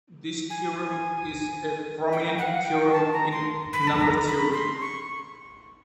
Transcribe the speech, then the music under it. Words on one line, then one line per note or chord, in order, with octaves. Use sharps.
This theorem is a prominent theorem in number theory.
G#5
G5
F#5
F5
F#5
G5
A5
A#5
C6
B5
A5
A#5
B5
C6
C#6